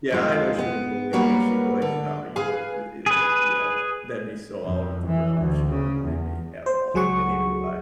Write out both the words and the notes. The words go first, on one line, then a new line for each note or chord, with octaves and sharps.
Yeah, I know she wouldn't believe me, she'd be like, "No," you know, th i like i Yeah. That'd be so out of the realm, she wouldn't believe me at all, and neither would I.
F2 G#3 F4
B3
F#3 G3 A#3 F#4 A#4 B4
D3
G#4 B4 F5 G#5
G#4 B4
F2
E3
D2
C#3
E2
C5
C#2 F#3 G#4 F#5 C#6